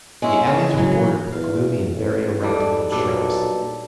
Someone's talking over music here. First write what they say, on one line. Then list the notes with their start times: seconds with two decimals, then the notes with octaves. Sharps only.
The alleys were bordered with gloomy and very erect little shrubs.
0.22 G#3 C#4 E4
0.47 C#3 G#3
0.74 E3 F#3
1.32 E2 F5
1.95 A1
2.43 G#2 G3 A4
2.92 B1 A#2 G3 D4 A4